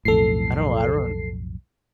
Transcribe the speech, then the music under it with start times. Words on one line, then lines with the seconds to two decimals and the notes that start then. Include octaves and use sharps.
I don't I run
0.05 B1 F2 A2 A4 C7